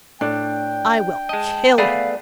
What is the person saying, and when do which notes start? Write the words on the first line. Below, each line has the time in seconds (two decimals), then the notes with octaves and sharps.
I will kill him!'
0.21 A2 D4 G5
1.29 G#3 D#5 A5
1.78 A3 B3 G#4 D5 F5 B5